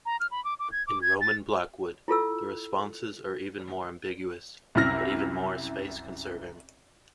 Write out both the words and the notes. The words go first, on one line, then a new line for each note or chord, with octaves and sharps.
In Roman Blackwood, the responses are even more ambiguous, but more space-conserving.
A#5
F6
B5
D6
D6
G#6
D6
G#6
A6
E4 F4 A4 E6
C2 F#2 E4 F6 A#6